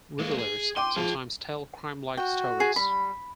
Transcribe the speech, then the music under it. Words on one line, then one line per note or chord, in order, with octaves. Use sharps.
Revealers sometimes tell crime-like stories.
G#3 A#3
G#4
G5 C6 D6 D#7
F3 G#4 G5
F#4 G5
G#4
G3 B5